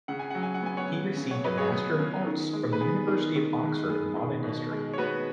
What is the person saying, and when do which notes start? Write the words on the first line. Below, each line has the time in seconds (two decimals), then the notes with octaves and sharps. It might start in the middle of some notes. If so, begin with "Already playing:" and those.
He received a Master of Arts from the University of Oxford in Modern History.
0.08 C#3 F#5
0.19 G#5
0.30 F#3 F#5
0.43 G#5
0.54 F#5
0.62 B3 G#5
0.77 C#5 F#5
0.89 C#3
1.17 C#3
1.31 C#5 F#5
1.44 F#3 B4 D#5
1.58 G#4 C#5
1.72 B3 G#4
1.98 C#3
2.27 D#3
2.53 G#3
2.73 B4
2.81 B3 G#4
3.08 D#3
3.36 D#3
3.63 G#3
3.90 B3 G#4
4.16 D#3
4.44 B2
4.71 G#3
4.94 C#5
4.98 B3 F#4 B4